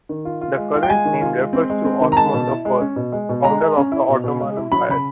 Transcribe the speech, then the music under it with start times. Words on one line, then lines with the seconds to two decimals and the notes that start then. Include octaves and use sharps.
The current name refers to Osman the First, founder of the Ottoman Empire.
0.09 D#3
0.25 F4
0.41 F4
0.57 G#3
0.74 F4
0.83 G5
0.89 G#3 G#5
1.05 D#3
1.21 F4
1.37 G#3
1.53 C4
1.70 G#3
1.85 C4
2.01 D#3
2.12 A#5
2.17 G#3 A5
2.33 B2
2.49 E4
2.65 G#3
2.80 C#4
2.96 B2
3.12 G#3
3.29 B2
3.44 G#3 A#5
3.60 G#3
3.77 C#4
3.92 E4
4.09 B2
4.24 B2
4.40 G#3
4.57 E4
4.72 F#3 B5
4.89 C#3 B5